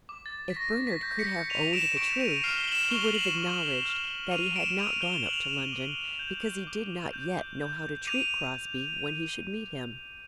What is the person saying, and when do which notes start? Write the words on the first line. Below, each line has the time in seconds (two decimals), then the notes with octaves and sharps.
If Bernard could have owned the truth, he would have acknowledged that he had not gone up to London, because he did not yet know how to treat Crosbie when he should meet him.
0.09 D6
0.26 A6
0.50 B6
0.56 C#6 A#6
0.87 B6
1.03 G6
1.19 B6 C#7
1.50 C#6 D#7 F7
1.73 D7 E7
1.97 C#6 D7 E7
2.20 D#7 F7
2.43 F6 C7 D7
2.57 G7
2.68 E7 F#7
2.91 C#6 F7 G7
3.14 E7 F#7
3.38 C#6
3.85 F6
4.31 D6 D#7 F7
4.56 D7 E7
4.78 D6 D#7 F7
5.02 F7 G7
5.26 F#6 F#7
5.33 F7
5.42 E7 F#7
5.72 D6
6.19 G6
6.67 D6
7.13 G6
7.61 G6
8.07 D6 D#7 F7